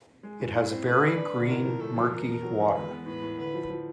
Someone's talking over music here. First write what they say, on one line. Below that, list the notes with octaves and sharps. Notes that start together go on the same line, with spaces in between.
It has very green murky water.
G#3
A2
A2
C4
A3 B4
D4
D4
D3
A2 A#4
F3
A3 A4
F3
E2 A#4
B2
F#3
E2
G#3 B4
B3
A2 B4
A2
D3 B4
F3
F3